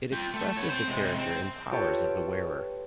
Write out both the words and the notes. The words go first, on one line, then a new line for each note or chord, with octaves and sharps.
It expresses the character and powers of the wearer.
F4 G5
A3
B3 C#5
C4 C5
C3 G#3
C4
F4 G4 A4 B4 C#5 G5